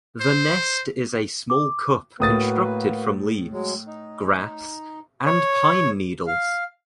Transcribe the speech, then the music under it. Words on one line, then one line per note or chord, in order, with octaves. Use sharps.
The nest is a small cup constructed from leaves, grass, and pine needles.
C5
D6
A2 A#3 F#4 B4 D#6 A6
F#3 G#3
D#4
C#5
F5